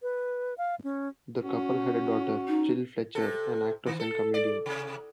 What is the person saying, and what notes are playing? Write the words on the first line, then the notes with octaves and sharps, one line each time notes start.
The couple had a daughter, Jill Fletcher, an actress and comedian.
B4
F5
C#4
C#4 F#4
D#4
C3 A4
D#3
A4
D5
C3